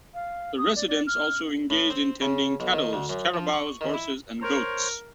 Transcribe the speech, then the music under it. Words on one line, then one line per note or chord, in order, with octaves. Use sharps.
The residents also engaged in tending cattles, carabaos, horses and goats.
F5
D#6
D5
D5
F6
A2
C4
C#3
B1
D#3
D2
F#2
F3
C#6
D#3
E4
A#4 C5 C#5